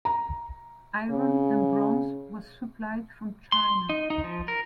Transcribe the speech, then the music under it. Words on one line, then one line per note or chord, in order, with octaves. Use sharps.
Iron and bronze was supplied from China.
A#5
C#3
C6
D#4
D#4
F3
A#4